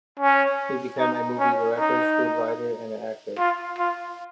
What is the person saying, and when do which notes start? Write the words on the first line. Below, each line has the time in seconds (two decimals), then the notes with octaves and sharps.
He became a movie director, scriptwriter and actor.
0.19 C#4
0.99 D#4
1.39 C#4
1.79 D#4
3.38 F4
3.78 F4